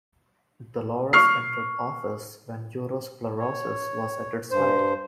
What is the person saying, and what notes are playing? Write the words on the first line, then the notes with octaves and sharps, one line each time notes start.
Delors entered office when eurosclerosis was at its height.
C#6 F6 C7
C#5
G2 C5